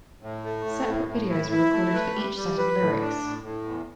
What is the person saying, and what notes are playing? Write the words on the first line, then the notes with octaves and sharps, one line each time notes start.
Separate videos were recorded for each set of lyrics.
A2
A3
A2
A2
A2
E4
E4
A3
B4
G3
G3
B4
A2
D4
A2
A2
E2